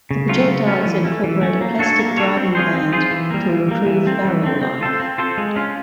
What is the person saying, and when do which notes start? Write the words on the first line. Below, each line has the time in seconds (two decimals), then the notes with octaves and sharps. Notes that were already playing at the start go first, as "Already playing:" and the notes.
The projectiles incorporate a plastic driving band to improve barrel life.
0.11 C#3
0.29 F#3 A3 C#4 F4
0.48 C#3
0.67 F#3 A3 C#4 F4
0.86 E3
1.04 A3 C#4
1.24 E3
1.41 A3 C#4
1.61 A#3
1.79 D4 F#4 A4 C#5
1.99 A#3
2.17 D4 F#4 A4 C#5
2.36 C4
2.55 F4 G#4 C5
2.74 C4
2.92 F4 G#4 C5
3.11 E3
3.30 G3 A#3
3.49 E3
3.68 G3 A#3
3.86 E3
4.06 A3 C4
4.25 E3
4.43 A3 C4
4.62 C4
4.81 F4 A4 C5
5.00 C4
5.18 F4 A4 C5
5.37 G#3
5.56 C#4 F4